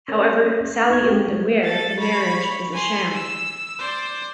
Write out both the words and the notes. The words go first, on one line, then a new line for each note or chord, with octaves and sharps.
However, Sally isn't aware the marriage is a sham.
C#4 A#4 C#5
D#4 C#6 G#6
G#3 C4 G4
A4 A6
C#5 B5
G#5 C6
E6
C5 D5